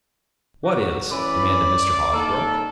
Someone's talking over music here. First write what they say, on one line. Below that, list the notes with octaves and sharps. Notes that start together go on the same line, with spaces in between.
"What is?" demanded Mr. Hosbrook.
F#4
E3 C#4 D5 B5
A#3 D#4 A4